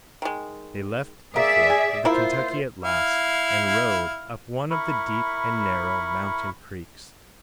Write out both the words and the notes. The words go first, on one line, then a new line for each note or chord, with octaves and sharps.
They left the fork of the Kentucky at last and rowed up one of the deep and narrow mountain creeks.
D#3 G#3
A#3 G#4 D5 E5
G#5
A#3 E4 F4 C5 E5
E4 F5
E4 A#4 B5 C#6